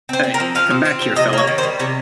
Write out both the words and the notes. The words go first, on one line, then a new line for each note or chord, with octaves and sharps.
Hey, come back here, fella!
C4 C5
C4
A#4
F3
F3 F5
C4
C4
F3
C3 D#5
A#3 C#5
D#3
C5
G3
C3 C#5